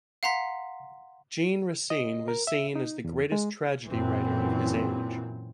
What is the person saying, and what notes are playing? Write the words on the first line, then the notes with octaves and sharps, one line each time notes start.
Jean Racine was seen as the greatest tragedy writer of his age.
F5 F#5 A#5 C6 B6
D#5
A#4
E5
D#4
E2
G#3
F#2 A#2 E3 C4